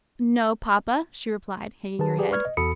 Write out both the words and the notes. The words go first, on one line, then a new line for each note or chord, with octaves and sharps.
"No, papa," she replied, hanging her head.
D#3 G#4 B4 A5
G4 G#4 B4 D5
B4 D5 C#6 F6 G#6
D#5
E2 F#4 A4 B5 D#6 C#7